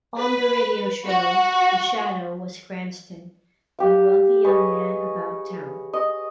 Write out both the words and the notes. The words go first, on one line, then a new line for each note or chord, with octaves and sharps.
On the radio show, The Shadow was Cranston, a wealthy young man about town.
B4
F#4
G4 F5
G#4 B4 C#5 D#5
D#5